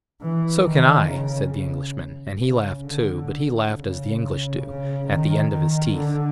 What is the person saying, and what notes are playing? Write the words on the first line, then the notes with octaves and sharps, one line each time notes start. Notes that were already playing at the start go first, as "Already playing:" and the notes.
"So can I," said the Englishman, and he laughed too; but he laughed as the English do, "at the end of his teeth."
E3
D#3
C#3
C#3
D3
C#3
C#3
D#3
D#3
D3